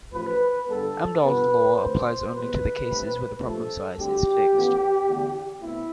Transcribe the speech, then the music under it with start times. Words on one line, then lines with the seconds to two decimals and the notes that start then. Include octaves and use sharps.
Amdahl's law applies only to the cases where the problem size is fixed.
0.13 A1 A2 F3 B4
0.68 G2 D3 G3 B3 A4
1.23 G2 F3 B3 B4
1.77 D2 D3 A3 C4 C5
2.32 E2 B2 G3 B4
2.87 G2 E3 A3 C4
3.42 G2 F3 A3 A4
3.98 D2 D3 G3 C4 G4
4.52 A1 A2 F3 B3
5.07 E2 D3 A3
5.62 B2 A3 C4 E4